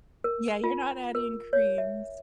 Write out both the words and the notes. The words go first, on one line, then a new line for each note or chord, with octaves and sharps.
Yeah, you're not adding creams.
A#4
F4
A#4
C#5
E5